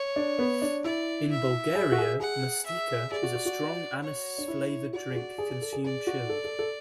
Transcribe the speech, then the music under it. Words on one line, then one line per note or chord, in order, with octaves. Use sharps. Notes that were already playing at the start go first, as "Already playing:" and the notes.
In Bulgaria mastika is a strong anise-flavoured drink, consumed chilled.
Already playing: C#5
D4
B3
D4
E4 D5
E5
G#4
F#4
G#4
G#4 F#5
E5
G#4 D5
F#4
F#4
F#4
C#5
D4
E4
F#4 D5
G#4
F#4
G#4
G#4
A4
G#4
G#4 D5
F#4
A4
A4
A4